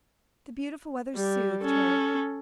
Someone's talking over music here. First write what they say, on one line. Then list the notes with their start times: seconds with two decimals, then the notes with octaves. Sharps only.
The beautiful weather soothed her.
1.15 G3
1.61 C#4 A4